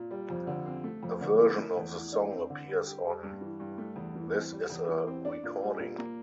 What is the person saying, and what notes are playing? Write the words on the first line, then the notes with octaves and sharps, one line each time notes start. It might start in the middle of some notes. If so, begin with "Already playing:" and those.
A version of the song appears on "This Is a Recording".
Already playing: A#2
G3
F2
D3
C4
A3
F2
D3
E4
A3
E2
E3
D4
C4
D3
G3
G4
G3
G2
E3
G2
A3
E2
E3
C4
G3
E2
E3
C4
D4
A#2
G3
A#2
A#3